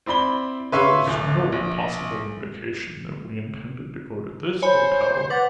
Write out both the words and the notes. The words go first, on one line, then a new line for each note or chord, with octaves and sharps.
"There was no possible indication that we intended to go to this hotel."
C4 E4 D5 B5 G7
B4 C#5 E5 F5 C6 C#6
D1 A1
A#1
C5 C#5 G#5 B5
B4 F#5 D6 A6